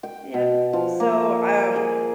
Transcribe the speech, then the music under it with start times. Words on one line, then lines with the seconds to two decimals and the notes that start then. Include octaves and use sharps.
Yep. So, um,
0.03 G5
0.34 B2
0.73 F3
1.00 A#3
1.76 G#4